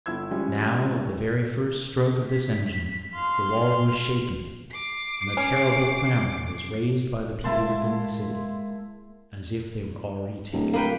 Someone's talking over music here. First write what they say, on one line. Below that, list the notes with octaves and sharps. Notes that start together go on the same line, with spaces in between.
Now, at the very first stroke of this engine, the wall was shaken, and a terrible clamor was raised by the people within the city, as if they were already taken.
G1 E4 E6 G#6
E3 F3 G3 G#3 C#4 E4
B6
F5 C6
D6 C7
C#4
G#3 A#3 E4 A5 C6
D1
A#3 B4 G5